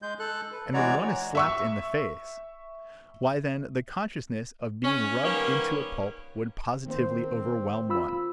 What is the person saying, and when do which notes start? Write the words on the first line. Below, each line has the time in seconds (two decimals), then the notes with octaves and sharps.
And when one is slapped in the face--why then the consciousness of being rubbed into a pulp would positively overwhelm one.
0.02 G#3 G6
0.19 A4 F#6
0.52 B4
0.73 E3 G#3 F#4 C#5 D5 A#5
1.35 E5 C#6 E6
4.85 C#4
5.24 D#3 G3 A#3 B3 C#4
6.86 D#3 A#3 C4 C5
7.89 F4 B5 E6